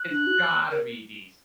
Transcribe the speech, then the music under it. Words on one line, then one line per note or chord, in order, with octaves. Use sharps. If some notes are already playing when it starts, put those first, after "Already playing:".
it's gotta be decent.
Already playing: F#6
D4
F#4
A#4